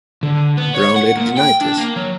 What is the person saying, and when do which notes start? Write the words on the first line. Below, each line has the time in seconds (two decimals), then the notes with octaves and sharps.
Brown later denied this.
0.23 D3
0.57 B3
0.74 C#5
0.96 F#5
1.17 A#2
1.37 G5
1.61 D4
1.77 A#3
1.96 F#3